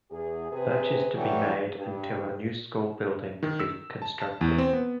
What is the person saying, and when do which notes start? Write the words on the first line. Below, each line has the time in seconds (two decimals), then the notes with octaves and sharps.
Purchase to be made, until a new school building could be constructed.
0.11 E2 G#4
0.51 C3 C4 G#4 B4
1.15 D3 E3 F#3 G3 A3
1.75 G2
3.43 D#3
3.60 E6
4.02 A5
4.20 A5
4.41 E2
4.58 C4
4.73 B3